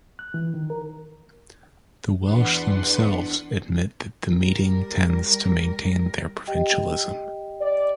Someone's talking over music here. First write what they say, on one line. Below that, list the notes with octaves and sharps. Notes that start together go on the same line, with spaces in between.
The Welsh themselves admit that the meeting tends to maintain their provincialism.
F#6
E3
D#3
A#4
E2 D4 B4 F#5 C6
G3 A#4
G4 D#5 G5
D5